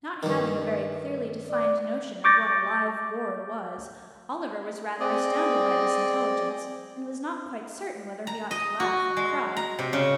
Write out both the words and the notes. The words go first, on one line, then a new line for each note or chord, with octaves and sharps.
Not having a very clearly defined notion of what a live board was, Oliver was rather astounded by this intelligence, and was not quite certain whether he ought to laugh or cry.
G2 D#3
D5
C#6 D6 G6 A6 A#6
C4 G#4 D5 D#5
A#5
D#5
F#4
G#3
A#5
C3
C#3